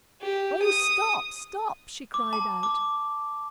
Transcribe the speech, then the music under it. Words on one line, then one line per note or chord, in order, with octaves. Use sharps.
"Oh, stop, stop!" she cried out.
G4
D#6
D6
A5
D6